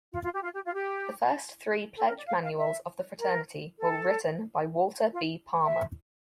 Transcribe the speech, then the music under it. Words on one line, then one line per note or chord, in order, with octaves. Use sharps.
The first three pledge manuals of the fraternity were written by Walter B. Palmer.
F4
F4
G4
F4
G4
F4
G4
A4
A#4
D5
F5
F5
E5
A#4
A4
F4
E5